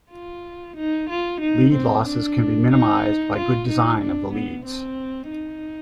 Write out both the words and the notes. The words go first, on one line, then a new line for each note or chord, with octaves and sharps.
Lead losses can be minimized by good design of the leads.
F4
D#4
F4
D#4
C4
D4
D#4
F4
D#4
D4
B3
C4
D#4